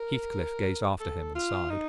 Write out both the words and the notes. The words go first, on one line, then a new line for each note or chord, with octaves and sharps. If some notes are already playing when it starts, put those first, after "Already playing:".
Heathcliff gazed after him, and sighed.
Already playing: A#4
A4
F4
D#4